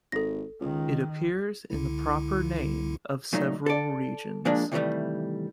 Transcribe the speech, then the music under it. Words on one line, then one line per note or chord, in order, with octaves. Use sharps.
It appears in the proper name of several regions.
G#1 A4 A#6
C#2 D#3
C#2 D3 E4
A#2 F#3 A3 D#4
A4 D5
A#2 F3 G#3 A#3 D4
C3 D#3 E3 F#3 G3 A3